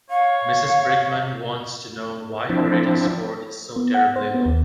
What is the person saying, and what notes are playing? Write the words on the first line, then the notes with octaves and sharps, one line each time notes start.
Mrs Brickman wants to know why her rating score is so terribly low.
C#5 F5
F3 C4 D4 E4
B3
F#5
C5
B3
D#2